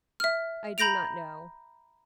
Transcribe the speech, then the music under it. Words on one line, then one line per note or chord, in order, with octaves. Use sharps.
"I do not know."
E5 F6
A#5 B5 G6 A#6 D7 F7